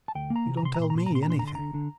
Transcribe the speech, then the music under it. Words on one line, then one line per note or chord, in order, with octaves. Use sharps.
You don't tell me anything.
A5
D2 G5
A#3
A#5
C3
A#5
C3 C6
A#5
A#2 C6
A#5
A#2 C6
A#5
A#2
C6
A#5
D4 C6
A#5
D3 C6
D3 A#5
D3